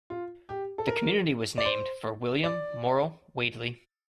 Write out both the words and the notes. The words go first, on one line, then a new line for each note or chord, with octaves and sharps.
The community was named for William Morill Wadley.
F4
G4
A4
A#4
D5
C5
D5